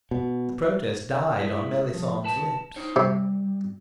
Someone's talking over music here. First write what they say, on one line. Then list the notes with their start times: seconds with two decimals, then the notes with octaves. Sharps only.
The protest died on Melisande's lips.
0.11 B2
1.37 G#3 E4
1.93 F3
2.25 B4 A5
2.76 D#4 C5 C#5
2.96 C3 G3